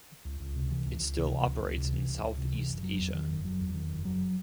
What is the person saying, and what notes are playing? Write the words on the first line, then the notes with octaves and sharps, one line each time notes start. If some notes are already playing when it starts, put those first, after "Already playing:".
It still operates in South East Asia.
C#2
C#2
C3
E3
C#2
C#2
C3
E3
C#2
C#2
C3
E3
C#2
C#2
C3
E3
F#1
F#3
E2
D#3
F#1
F#3
E2
D#3
F#1
F#3